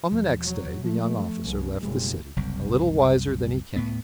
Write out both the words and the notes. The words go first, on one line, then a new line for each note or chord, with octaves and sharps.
On the next day the young officer left the city, a little wiser than he came.
E1 F3
F#3
F3 A3
C2
F#1 B2 G3 G#3
F#1 C2
A2 B3